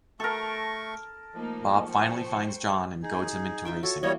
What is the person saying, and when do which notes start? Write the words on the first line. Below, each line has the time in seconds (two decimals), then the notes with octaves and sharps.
Bob finally finds John and goads him into racing.
0.20 A3 A4 A#4 C#6
1.35 F3 A3 A#3 D#4
1.84 C5 G5 C#6
3.03 D#4 G#4
3.65 D#4 F4 E5 G5
3.83 F#4 A4 C#5
4.03 E3 G3 A#3 C#5 D#5